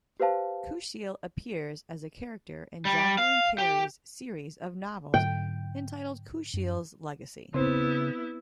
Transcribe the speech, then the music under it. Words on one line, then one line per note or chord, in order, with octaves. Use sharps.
Kushiel appears as a character in Jacqueline Carey's series of novels entitled Kushiel's Legacy.
G4 B4 C5 F5 A5
G3
F5
G4
G#2 D3 F#3 G5
F#2
C#3 B3 C4 E4 C5